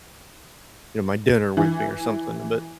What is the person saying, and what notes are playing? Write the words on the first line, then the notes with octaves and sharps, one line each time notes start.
you know, my dinner with me or something, but
E3